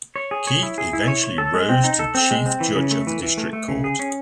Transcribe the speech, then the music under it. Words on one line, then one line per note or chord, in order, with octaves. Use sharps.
Keith eventually rose to Chief Judge of the District Court.
C#5
G#4
C#5
E4
G#4
E4
C#5
C#5
A4
G#3
C4
D#4
A4
C4
G#3
C4
E3
C#3
A3
E3
E3
A3
A3
C#3
G#4
C#4